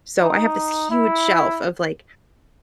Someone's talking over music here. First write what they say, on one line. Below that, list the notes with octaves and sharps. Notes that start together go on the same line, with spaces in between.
So, I have this huge shelf of, like,
D#4
E4